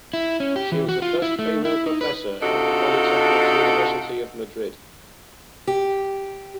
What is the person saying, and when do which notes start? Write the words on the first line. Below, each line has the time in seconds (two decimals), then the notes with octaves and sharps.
She was the first female professor at the Polytechnic University of Madrid.
0.14 E4
0.40 C#4
0.56 G4
0.72 E3
0.89 F#4
1.02 F4
1.22 E4
1.39 A3
1.65 E4
1.86 D#4
2.01 B4
2.41 C3 D4 D#4 F4 F#4 A4
5.67 G4